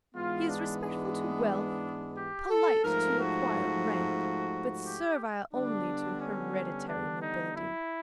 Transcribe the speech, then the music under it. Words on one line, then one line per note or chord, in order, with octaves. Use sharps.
He is respectful to wealth; polite to acquired rank; but servile only to hereditary nobility.
G#2 E3 G#3 B3 F4
D4
D4
G4
A4
G#2 F3 A3 A#4
F#4
G4
D3 G3 B3 D4
C#4
D4
D#4
E4